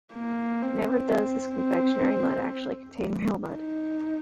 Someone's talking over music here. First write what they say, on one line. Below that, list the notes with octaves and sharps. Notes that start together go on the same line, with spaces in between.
Never does this confectionery mud actually contain real mud.
A#3
C4
C4
D#4